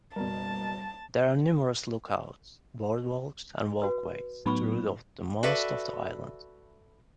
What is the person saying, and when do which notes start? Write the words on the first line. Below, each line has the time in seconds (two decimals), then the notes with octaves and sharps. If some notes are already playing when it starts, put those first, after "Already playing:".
There are numerous lookouts, boardwalks and walkways throughout most of the island.
0.16 F#1 B2 G3 A#4 A5
3.82 F#4 B4
4.46 A2 F#3 B3 D#4 B5 C#6
5.43 F#4 A4 B4 D5 E5